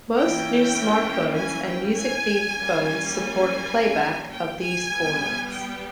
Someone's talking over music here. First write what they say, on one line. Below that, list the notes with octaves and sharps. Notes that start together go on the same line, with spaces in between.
Most new smartphones and music-themed phones support playback of these formats.
E3 A#3 C#4 G5
G#5
G5
G#5
G3 A#3 C#4
G#5
G5
G#5
G3 B3
G5